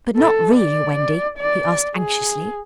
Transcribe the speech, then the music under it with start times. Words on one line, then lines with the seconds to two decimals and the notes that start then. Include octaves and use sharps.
'But not really, Wendy?' he asked anxiously.
0.17 A4
0.58 D5
1.38 D5
1.96 G#4